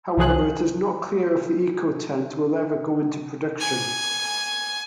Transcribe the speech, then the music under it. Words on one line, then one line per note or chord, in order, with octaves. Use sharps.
However, it is not clear if the eco-tent will ever go into production.
C2 E3 F3 G#4 F#6
G#5